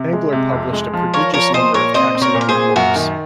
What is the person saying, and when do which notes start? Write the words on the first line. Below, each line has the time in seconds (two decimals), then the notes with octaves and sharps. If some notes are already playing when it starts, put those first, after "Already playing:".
Engler published a prodigious number of taxonomic works.
Already playing: C3
0.13 G#3
0.33 C3
0.52 F2
0.73 G#3
0.93 F3
1.14 F4 A#4 C#5
1.34 F3 A#4 C#5
1.54 A#2 C5 D#5
1.74 A#2 A#4 C#5
1.94 C4 C5 D#5
2.15 C4
2.22 A#4 C#5
2.35 A#2
2.41 A#4
2.49 G#4 C5
2.55 A#2
2.76 F#2 F#4 A#4
2.96 D#3